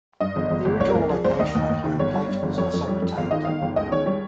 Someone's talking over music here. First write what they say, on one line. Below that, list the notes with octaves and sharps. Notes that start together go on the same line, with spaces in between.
The original location of home plate was also retained.
G2 D#5
G1
G1
G1
C2 C#5
A#4
C2
A#4
F3 G#4
C2 C5
D#2 D#5
D#2
D#2
D#3
G1 C#5
G3
G2
G1
F2 C#5
F2
G3
F2
G1 F5
D#3 D#5
D#3 F5
G1
C#2 D#5
D#3 C#5
G3 C#5